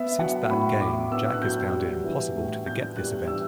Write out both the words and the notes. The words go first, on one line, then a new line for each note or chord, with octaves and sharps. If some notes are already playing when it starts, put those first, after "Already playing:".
Since that game, Jack has found it impossible to forget this event.
Already playing: B3 E5
F#3 F#5
A2 B5
A2 D6
B3 E6
F#6
F#3 G6
G3
E3
A2
B3 G6
G3 F#6
E3 E6